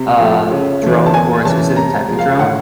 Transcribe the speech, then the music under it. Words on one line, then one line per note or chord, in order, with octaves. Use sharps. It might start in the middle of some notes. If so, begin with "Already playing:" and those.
a drone or a specific type of drone.
Already playing: C3
F3 A3
C#3
E3 A3
A5
E2 G#5
C#3 E3 A5
C3 A#5
F3 G#3
F5
A2 F#5